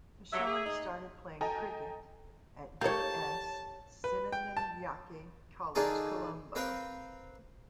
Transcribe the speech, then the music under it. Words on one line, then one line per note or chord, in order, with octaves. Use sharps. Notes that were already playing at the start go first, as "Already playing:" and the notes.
Hashan started playing cricket at D. S. Senanayake College, Colombo.
G2 C#3 F#3 E5
G#4
D#4
A4 D#5 G5 G#5 A#5
A#3 D#4 G4 C#5 A5
B4
G5
A5
D#3 D4 D#4 F4 G#4 A4
C4 A#4 B4 F5 G5